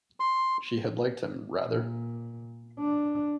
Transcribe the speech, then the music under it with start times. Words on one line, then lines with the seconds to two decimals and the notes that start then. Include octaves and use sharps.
She had liked him — rather.
0.20 C6
1.65 A#2
2.79 D4